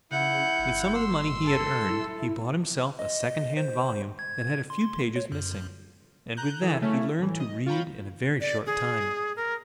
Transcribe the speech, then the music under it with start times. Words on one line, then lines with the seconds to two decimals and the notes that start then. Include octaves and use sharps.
With some of the money he had earned, he bought himself a secondhand volume that had a few pages missing, and with that he learned to read in a very short time.
0.12 C#3 E4 F#5 G6
0.59 G1
0.94 C6 E6
1.45 A4
1.90 E4
2.99 D#5
3.57 C5
4.19 G#6
4.70 C6
5.16 C#5
5.32 F#2
6.37 A#5 F#6 G6
6.62 E3 G#4 A4
6.82 C#3 A3 C#4 E4
7.19 A2 E3
7.40 D#5
7.66 F4 C#5 G5 A#5 B5
8.40 D5
8.66 G#4
9.36 A#4